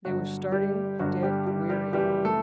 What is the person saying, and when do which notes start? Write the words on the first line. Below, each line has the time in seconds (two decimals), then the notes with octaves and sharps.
They were starting dead weary.
0.05 G1 G2 D3 F#3 F#4
0.52 G3 G4
0.99 G1 G2 D3 F#3 F#4
1.22 G3 G4
1.47 G3 G4
1.70 G3 G4
1.93 F#1 F#2 E3 G3 G4
2.25 A3 A4